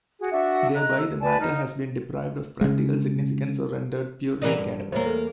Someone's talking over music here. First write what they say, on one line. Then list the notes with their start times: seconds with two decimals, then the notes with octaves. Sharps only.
Thereby the matter has been deprived of practical significance or rendered purely academic.
0.19 F#4 G#4
0.31 D4 F#4 E5
0.75 D#5 A#5 F#6
0.98 E6
1.21 B4 D5 G#5 A5
1.40 D#4 D#5 F6
2.61 C#3 G#3
4.42 E3 A#3 D5 D#5
4.58 G2
4.92 E2 A#3 C5 C#5 A#5
5.06 A4